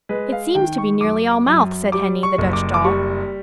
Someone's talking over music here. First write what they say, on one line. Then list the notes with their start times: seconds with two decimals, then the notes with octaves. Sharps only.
"It seems to be nearly all mouth!" said Henny, the Dutch doll.
0.09 G#3 B4
0.32 F5
0.55 D#3 G5
0.78 C#6
1.01 F#2 D6
1.31 D6
1.47 F#2
1.92 G3 D6
2.23 C#6
2.38 F#1
2.53 D6
2.74 D6
2.84 G3 C#6